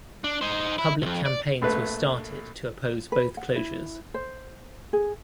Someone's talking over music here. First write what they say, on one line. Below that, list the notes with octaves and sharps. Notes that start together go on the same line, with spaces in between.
Public campaigns were started to oppose both closures.
D4
D#4 C5
E4
C2 F2
D5
A#1 A3 B4
B4
F#5
E4
C5
G#4